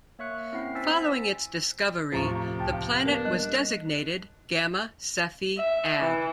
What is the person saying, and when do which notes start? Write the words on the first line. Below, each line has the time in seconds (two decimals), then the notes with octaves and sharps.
Following its discovery the planet was designated Gamma Cephei Ab.
0.19 A#3 C#5 E5 C#6 F#6 C#7
0.53 C4 C#4 E4 F#5 C7
0.75 C5 G#5 E6 A6 B6
2.12 D#2 A2 C3 F3 A3 A#5 C#6 A6
2.60 C#2 G5 A5
2.73 F5
3.05 A#3 B3 D4 A#4
3.25 G3 D#5 F#6
5.57 E5
6.00 E3